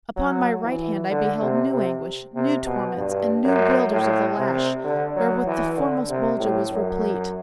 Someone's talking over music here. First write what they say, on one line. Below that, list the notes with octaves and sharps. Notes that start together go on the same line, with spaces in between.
Upon my right hand I beheld new anguish, New torments, and new wielders of the lash, Wherewith the foremost Bolgia was replete.
F#3
E3
D3
C3
C3
C3
B2
G2
F#2
A2
C3
D3
F#3
E3
D3
C3
A2
F#2